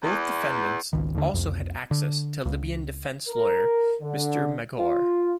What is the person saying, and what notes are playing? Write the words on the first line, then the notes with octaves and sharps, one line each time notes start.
Both defendants also had access to Libyan defence lawyer, Mr. Maghour.
E2
G#1 C#2 D#3
D#2 D3
C2 F2
D3
C#2
A#4
D3
F4